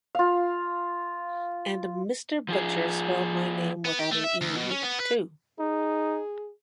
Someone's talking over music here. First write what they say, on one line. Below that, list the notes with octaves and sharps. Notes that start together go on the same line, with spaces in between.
And Mr. Butcher spelled my name without an e, too.
F4 F5
F3 F4 G#4
B3
G4
A3
E5
D2
B2
C#4
B3
B4
D#4 G#4